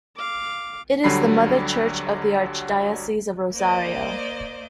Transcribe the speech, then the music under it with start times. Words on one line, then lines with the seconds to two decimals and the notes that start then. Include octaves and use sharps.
It is the mother church of the Archdiocese of Rosario.
0.16 F5 D6
1.04 D2 D3 F#3 G3 B5 C7
3.53 A#3 C5 D5 D#5